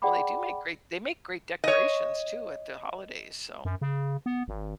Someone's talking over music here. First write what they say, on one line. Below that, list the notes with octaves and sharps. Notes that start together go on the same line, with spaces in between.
Well, they do make great they make great decorations too at the holidays, so,
G#4 D5 F#5 G5 B5 D6
C#5 D#5
F#2
C#3
B3
G#1